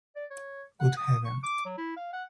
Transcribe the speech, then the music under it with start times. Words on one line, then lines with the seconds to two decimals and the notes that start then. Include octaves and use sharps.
Good heaven!
0.16 D5
0.31 C#5
0.80 F#5
0.97 D#6
1.25 C#6
1.43 D6
1.65 F#3
1.78 E4
1.96 F5
2.13 F#5